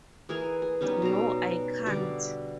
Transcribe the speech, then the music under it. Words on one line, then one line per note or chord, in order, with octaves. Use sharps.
No, I can't.
E3 G#4 A#4 G#5
G#4
G3 B3 C#4 D#4
B2 A#5
D3 G3 D5